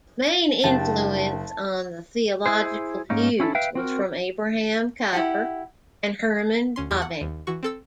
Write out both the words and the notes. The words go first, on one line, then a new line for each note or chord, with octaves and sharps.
The main influence on the theological views was from Abraham Kuyper and Herman Bavinck.
F#1 D4 G4 G5 A5
E4 G#4 C5
G#2 A#3 C#4 D#4
C#4 E4 F#4 A4
B4 E5 F5 G5
C4 F#4 A#4
E4 G4 F#5
D2 C#4 C6
E2 G4 G#6
F#5
D#2
E3 F#4 C#6
C4 A4 E6